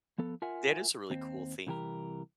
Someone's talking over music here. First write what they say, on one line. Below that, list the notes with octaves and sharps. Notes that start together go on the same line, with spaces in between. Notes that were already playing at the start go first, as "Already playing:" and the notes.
That is a really cool theme,
F3 B3 A4
F4 A#4 E5 F#5 G#5
D#2 C4
C2 E3 G4 A#4